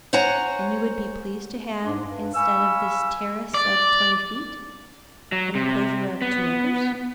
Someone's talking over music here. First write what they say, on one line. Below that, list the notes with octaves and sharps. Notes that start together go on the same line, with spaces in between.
"And you would be pleased to have, instead of this terrace of twenty feet, an enclosure of two acres?"
C5 C#5 F#5 G#5 A#5
G#2 D4
G2
F5 G#5 B5 C#6 E6
D5
F#3
C3
B3